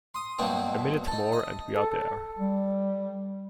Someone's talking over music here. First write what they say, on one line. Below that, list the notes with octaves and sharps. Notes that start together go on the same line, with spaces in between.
A minute more and we are there.
C6 D#6
G2 B2 F#3 A#3 C4 D#4
D#4 A4
D#5
A4
G3